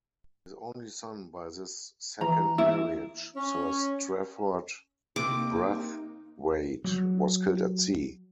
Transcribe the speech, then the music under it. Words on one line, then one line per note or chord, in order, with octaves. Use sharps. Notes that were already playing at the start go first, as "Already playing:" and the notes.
His only son by this second marriage, Sir Strafford Brathwait, was killed at sea.
E3 A#5
E4
C#4
C3 A#3 D#4 D6
F#3